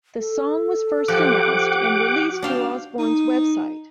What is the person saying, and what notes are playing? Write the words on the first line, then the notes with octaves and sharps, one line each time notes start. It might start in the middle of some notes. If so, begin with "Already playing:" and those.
The song was first announced and released through Osbourne's website.
A4
F3 G4 F#5 D6
F#4
D4 F5 G5
D#4